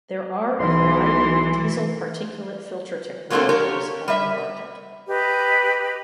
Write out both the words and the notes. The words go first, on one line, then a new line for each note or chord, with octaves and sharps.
There are a variety of diesel particulate filter technologies on the market.
B1 E3 C6
F#3 A3 A#3 C4 D4 A4
G4 A#4 C#5
G3 E5
G4 B4 D#5